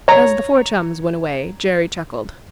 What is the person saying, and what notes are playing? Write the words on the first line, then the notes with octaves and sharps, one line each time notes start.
As the four chums went away, Jerry chuckled.
C#5 A#5